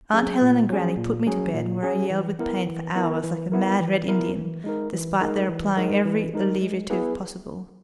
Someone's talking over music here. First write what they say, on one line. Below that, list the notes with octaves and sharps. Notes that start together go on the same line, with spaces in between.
Aunt Helen and grannie put me to bed, where I yelled with pain for hours like a mad Red Indian, despite their applying every alleviative possible.
F#3 C#4 G#4
A#2
F#3 C#4 G#4
A#2
F#3 C#4 G#4
A#2
F#3 C#4 G#4
E3
B3 E4 A#4
E3
B3 E4 A#4
E3
B3 E4 A#4
E3
B3 E4 A#4
E3
G#3 D#4 A#4
E3
G#3 D#4 A#4
E3
G#3 D#4 A#4
E3
G#3 D#4 A#4
G#3
B3 E4 G#4 B4